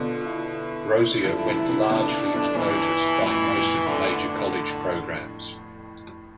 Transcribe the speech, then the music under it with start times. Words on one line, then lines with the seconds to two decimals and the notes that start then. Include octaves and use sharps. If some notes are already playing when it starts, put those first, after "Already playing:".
Rozier went largely unnoticed by most of the major college programs.
Already playing: B2 D3 F4
0.26 E4
1.24 D3 F3
1.46 C3 E3
1.69 C3 E3
1.90 B2 D3 D4
2.35 B2 D3
2.56 G2 B2 E3
3.22 F2 A2 E3
3.44 F2
3.87 D3